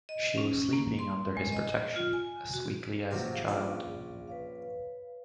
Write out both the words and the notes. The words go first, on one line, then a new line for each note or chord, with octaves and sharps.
She was sleeping under his protection as sweetly as a child.
D#5
C#4
A#3
C6
G#3
D#5
F4
G#5
F#4
C3 F3 F#3 A#3
G#4 F5
A#1 C#4 D4
B4 C#5 F5